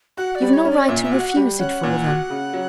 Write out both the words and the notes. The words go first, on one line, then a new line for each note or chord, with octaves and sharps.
You've no right to refuse it for them.
F#4 F#5
D5
G3
C#5
C#4
D5
A#2 E5
E5
F#4 F#5
G3
C#4 F#5
A#2
F#4
C#3
F#3